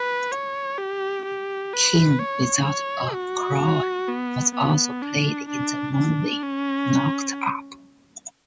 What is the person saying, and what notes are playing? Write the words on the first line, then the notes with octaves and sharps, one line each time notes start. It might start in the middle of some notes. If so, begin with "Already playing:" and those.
"King Without a Crown" was also played in the movie "Knocked Up".
Already playing: B4
C#5
G4
G4
B4
C#5
C#5
F#4
B3
B3
D4
D4
D4
C#4